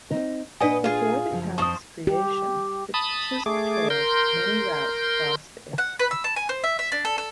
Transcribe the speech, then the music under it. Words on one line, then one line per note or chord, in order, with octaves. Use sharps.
Before the county's creation, The Chisholm Trail's many routes crossed the area.
C4 D#4
A#2 D4 B4 D5 D#5 F#5 G#5
F4 G#4
F#2 C#3 F3
F2 F3 C5 A5 C#6 D#6
G4
A5 B5 D#6
A3 G#4 D6
A#4 C6 G6
F#5
B4
E6
A5
G#5
C5
E5
E5
D4
A4
A4